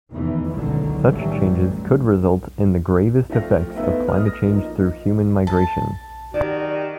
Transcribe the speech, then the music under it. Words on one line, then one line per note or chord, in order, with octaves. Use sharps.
Such changes could result in the gravest effects of climate change through human migration.
F1 E2 A2 D#3 E3
C#2 B2 D3 D#3 F#3
A2 D#3 E3 F#3 G3 A3
F#2
F3 A3 C4 F5 A#6
A3 B3 D#4 E4 B4
D#6 F6
A#6
F3 A#3 D#4
A5
D#3 F#4 G4 D5